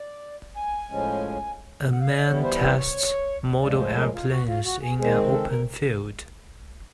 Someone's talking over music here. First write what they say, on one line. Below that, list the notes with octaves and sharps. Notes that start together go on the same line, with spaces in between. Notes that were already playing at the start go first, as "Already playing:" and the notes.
A man tests model airplanes in an open field.
Already playing: D5
G#5
A2 F3 G#3 C#4
F#5
F5
D5
D#5
E3 G3 B3 E4 C#5
C5
C5
C#5
A2 F3 G#3 D5
C5
A#4
F4
F#4
F4
F#4
G#4
D#3 G#3 C4 G#4
A4
A#4